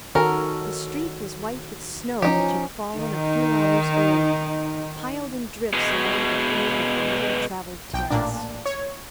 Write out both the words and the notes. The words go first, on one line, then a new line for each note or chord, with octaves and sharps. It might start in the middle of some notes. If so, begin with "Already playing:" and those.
The street was white with snow which had fallen a few hours earlier, piled in drifts along the curb of the little-traveled terrace.
D#3 C#4 F#4 A4 A#4
F3 C#4 D#4 G4
D#3 D#4
B2 G#3
B1 G5
A1 A#2 D4
C#5